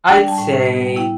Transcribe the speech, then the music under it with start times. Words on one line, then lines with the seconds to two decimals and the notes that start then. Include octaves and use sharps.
I'd say
0.08 D4 D5
0.18 G5
0.24 G3 A5
0.38 A2 G5
0.53 A2
0.67 B3
0.81 G3
0.96 E4 G5